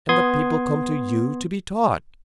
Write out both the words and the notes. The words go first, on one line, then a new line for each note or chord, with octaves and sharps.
And the people come to you to be taught.
B3 C6 D#6 G#6